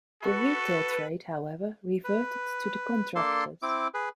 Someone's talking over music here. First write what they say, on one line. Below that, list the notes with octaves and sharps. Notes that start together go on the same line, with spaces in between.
The retail trade, however, reverted to the contractors.
F#4 A4 B4
B4
A#3 D4 A4 A5 C6
C4 E4 D6
G#4 B4